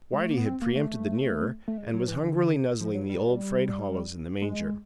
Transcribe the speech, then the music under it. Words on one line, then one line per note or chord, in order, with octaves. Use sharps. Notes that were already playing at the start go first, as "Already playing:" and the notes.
Whitey had preempted the nearer, and was hungrily nuzzling the old frayed hollows in the manger.
G#3
A3
A#3
B3
C4
A#3
A3
A3
G#3
F#3
E3
D3
F3
F#3
G3
G#3